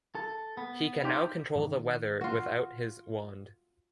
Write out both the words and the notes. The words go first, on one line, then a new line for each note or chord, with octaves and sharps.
He can now control the weather without his wand.
A4
B3
D#4 F4 G4 C5 D5
G#2 D#3
F4 F#4